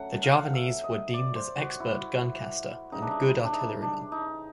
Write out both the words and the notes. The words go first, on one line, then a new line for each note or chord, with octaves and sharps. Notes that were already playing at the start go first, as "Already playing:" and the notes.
The Javanese were deemed as expert gun caster and good artillerymen.
Already playing: D3 F#3 A3 C#4 F#5
F5
F#5
F5
E5
D#5
D5
C5
F#4
E4
C#3 E3 G3 D#4
D4
D#4
E4
D4
D#4
D4
D#4